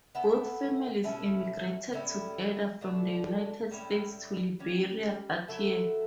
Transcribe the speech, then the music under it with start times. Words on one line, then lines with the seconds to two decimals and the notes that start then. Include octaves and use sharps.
Both families emigrated together from the United States to Liberia that year.
0.15 B3 E4 A4
1.04 B2 A3 C#4 E4
1.93 A2 G3 C#4 E4
2.81 B2 A3 D4
3.70 A2 G3 C#4 E4
4.59 G3 C#4 G4 C#5
5.48 F#3 A3 E4 A4